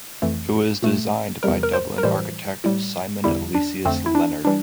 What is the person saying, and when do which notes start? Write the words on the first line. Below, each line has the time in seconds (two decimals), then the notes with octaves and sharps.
It was designed by Dublin architect Simon Aloysius Leonard.
0.22 F2 E3 A3
0.82 A#2 A3
1.43 E2 C3 G3 A#4
1.63 A#4
1.73 C5
1.98 A#4
2.03 A2 E3 G3 C5
2.64 A2 G3
3.24 E2 D3 G3 E4
3.55 D4
3.85 F2 D3 A3 C4
4.06 E4
4.15 D4
4.45 E3 G3 D4